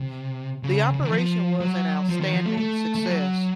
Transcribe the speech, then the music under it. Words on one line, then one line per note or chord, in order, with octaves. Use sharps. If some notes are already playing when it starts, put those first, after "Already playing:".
The operation was an outstanding success.
Already playing: C3
C#3
C#3
D#3
F3
F#3
F3
D#3
F3
A3
A3
A3
F#3